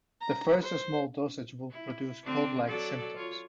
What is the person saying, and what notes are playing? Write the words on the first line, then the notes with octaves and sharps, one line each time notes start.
The first small dosage would produce cold-like symptoms.
A#5
C5
E4
D3 C4 D4
F#3 A4 D5
F4 C#5